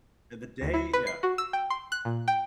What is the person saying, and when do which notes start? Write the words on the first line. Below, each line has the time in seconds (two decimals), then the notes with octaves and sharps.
and the day yeah.
0.61 D2
0.74 E4
0.93 B4
1.07 C7
1.23 F#4
1.38 E6
1.53 G5
1.70 C6
1.92 F#6
2.05 A#2
2.28 G5